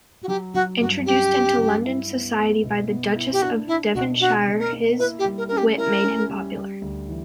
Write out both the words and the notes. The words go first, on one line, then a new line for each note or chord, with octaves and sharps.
Introduced into London society by the duchess of Devonshire, his wit made him popular.
F#4
F#3 G4
F#3 F#4
G2 F#4
C#4 G4
C#4
G2
E4
B3
B3
B2
B3
E4
G4
D4 F#4
D4 E4
B2 F#4
D4 F#4
B2
A#4
A#3
E4 B4
G4
G3
A#4
C#4 A#4
G4
E4 A#4
C#4
G3
G3
D2
E3